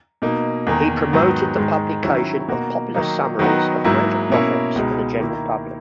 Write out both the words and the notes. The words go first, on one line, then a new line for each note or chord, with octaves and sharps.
He promoted the publication of popular summaries of major projects for the general public.
B2 A#3 D#4
E2 D#3 A#3
G#2 D#3 F#3 B3
G#2 D#3 G#3
D#3 F#3 C#4 E4
B2 A#3 D#4 F#4
D#3 F#3 A#3 D#4
D#3 F#3 B3 D#4 F#4
G#2 F#3 A#3 E4
B2 A#3 C#4 E4
C#2 B2 G#3 D#4
D#3 A#3 E4